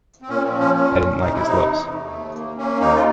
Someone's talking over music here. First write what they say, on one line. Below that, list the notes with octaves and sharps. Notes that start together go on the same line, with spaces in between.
I didn't like his looks.
C4
A#2 C#4
C4
F3
C#4
A#2 C#4
A#2
C3 D#4
E4
C3 D#4
E2
A3
D#2
A#3
A#3 C#4
D#2 D#4
F4